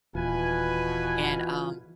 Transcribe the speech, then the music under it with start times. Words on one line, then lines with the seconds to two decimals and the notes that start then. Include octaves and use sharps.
and, um,
0.15 D#1 B2 E3 F4 B4 G#5